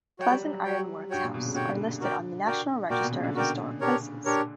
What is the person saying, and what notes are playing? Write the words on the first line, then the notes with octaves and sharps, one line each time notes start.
Pleasant Iron Works House are listed on the National Register of Historic Places.
F#3 F#4 C#5 G5
G3
F#3
F#3
F#4 C#5 G5
G2 F#4 C#5 G5
A#2
B2
C#3
D3 F#4 C#5 G5
F#4 A#4 D5 G5
F#4 A#4 D5 G5
A#2 F#4 A#4 D5 G5
B2
C#3
D3
F#4 A#4 D5 G5
D4 G4 A#4 C#5
D4 G4 A#4 C#5